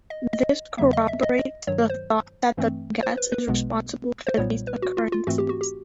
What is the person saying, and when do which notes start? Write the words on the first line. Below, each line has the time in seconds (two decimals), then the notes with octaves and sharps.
This corroborates the thought that the gas is responsible for these occurrences.
0.10 D#5
0.33 D#5
0.77 E2 C#3 F#3 A#3 E5
0.93 D#5
1.08 E5
1.22 D#5
1.38 D#5
1.67 G2 D#3 F#3 C#5
1.90 C5
2.57 G2 E3 A3 C4
3.03 C5
3.17 B4
3.32 B4
3.47 B1 B2 G#3 B3
4.27 C5
4.37 B1 A#2 G3 B3 C#5
4.67 B4
4.82 F#4
4.97 F4
5.12 F4
5.27 G#2 E3 A3 C4 F#4
5.38 G4
5.49 F#4
5.61 G4